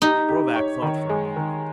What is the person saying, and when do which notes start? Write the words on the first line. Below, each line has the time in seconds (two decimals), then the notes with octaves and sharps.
Krovac thought for a moment.
0.02 D#4 G4
0.29 G4
0.56 C#5
0.82 D#3
1.09 G#3
1.36 D#3